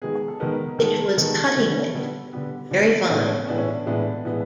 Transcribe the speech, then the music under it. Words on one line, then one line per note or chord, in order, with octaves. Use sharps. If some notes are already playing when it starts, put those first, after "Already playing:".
It was cutting it very fine.
D#3 G#3 B3 G#4
A4
D#3 G#3 B3 A#4
D#3 G#3 B3 A4
A#4
D#3 G#3 B3 A4
D3 G3 B3
D3 G3 B3
D3 G3 B3 G4
D3 G3 B3 D4
A2 E3 G#3 B3 C#4
D4
C#4
A2 E3 G#3 B3 D4
C#4
D4
A2 E3 G#3 B3 D4
A2 E3 G#3 B3